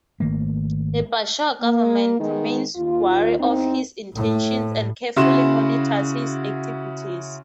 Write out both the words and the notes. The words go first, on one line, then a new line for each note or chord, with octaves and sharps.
The Bashar government remains wary of his intentions and carefully monitors his activities.
G#1 D#3 A3 A#3
A#3
D#3 G#3 B3 D#4
D#2 F4
E2 C4 D#4
A2
C#3 E4 F#4 C6 E7